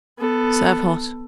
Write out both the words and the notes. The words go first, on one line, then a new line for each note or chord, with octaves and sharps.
Serve hot.
B3 A4